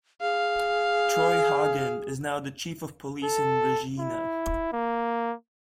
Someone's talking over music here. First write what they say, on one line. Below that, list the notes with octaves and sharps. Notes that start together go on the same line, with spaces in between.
Troy Hagen is now the Chief of Police in Regina.
G#4 F5
A4
E4
A#3